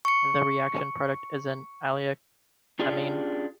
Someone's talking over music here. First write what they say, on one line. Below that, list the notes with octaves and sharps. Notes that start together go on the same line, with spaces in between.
The reaction product is an allylic amine.
C#6 C#7
C#4 D4 F4 G4 G#4 D5